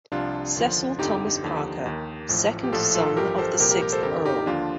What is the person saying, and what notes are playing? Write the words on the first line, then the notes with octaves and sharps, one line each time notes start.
Cecil Thomas Parker, second son of the sixth Earl.
C2 C3 F3 D4 F4
D#2 D3 F3
G1 F2 D3 D#4 G4
D#2 D3 F3
D#2 D#3
A1 A2 F3
G4
A#1 A2 F3 F4 A4
F4 A4
A1 G2 F3 G4 A#4
A4 C5
C2 A#2 F3 G4 A#4
G4 A#4
G4 A#4
A4 C5
G1 F2 D3 G4 A#4
D#4 G4
D#2 D3 F3 D4 F4